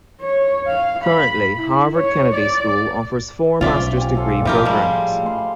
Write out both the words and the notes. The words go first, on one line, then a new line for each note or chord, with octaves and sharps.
Currently, Harvard Kennedy School offers four master's degree programs.
C#5
F5
B5
E4
C#5
D5
B1 F#3 C#4 F4 C5 D5 E5
G4 F#5 G#5
F4 A4 F5
A2 E3 F3 G4 A#4
G3 G#3
F5 C6